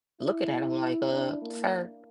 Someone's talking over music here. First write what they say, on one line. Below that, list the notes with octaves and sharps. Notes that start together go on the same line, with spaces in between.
looking at him, like, "Uh, sir,
E4
D4
A#3